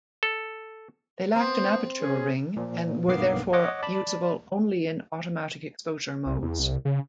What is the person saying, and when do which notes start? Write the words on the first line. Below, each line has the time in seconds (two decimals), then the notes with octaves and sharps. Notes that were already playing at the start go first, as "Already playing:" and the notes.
They lacked an aperture ring, and were therefore usable only in automatic-exposure modes.
0.23 A4
1.36 B3 C4 C5
2.00 C#4 G#4
2.56 A#2 F3
3.08 B1 G2 A#3 B3 D6 C7
3.53 C#5 D#5 F#5 D6
3.83 D5 A5 B5
6.26 C2
6.42 E2
6.59 C2
6.85 C#3